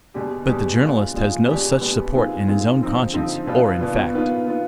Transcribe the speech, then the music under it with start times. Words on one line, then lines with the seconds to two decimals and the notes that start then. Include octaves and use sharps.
But the journalist has no such support in his own conscience or in fact.
0.14 B2 G#3 D4 G4
0.47 B2 G#3 D4 G4
0.81 G#3 D4 F4
1.14 G#3 D4 F4
1.48 B2 G#3 B3 D4 G4
1.81 B2 G#3 B3 D4 G4
2.14 D#3 G#3 C4 F4
2.47 D#3 G#3 C4 F4
2.80 D3 F3 C4 D#4
3.14 D3 F3 C4 D#4
3.47 B2 B3 D4 F4
3.81 B2 B3 D4 F4
4.14 D#3 B3 F4
4.47 D#3 B3 F4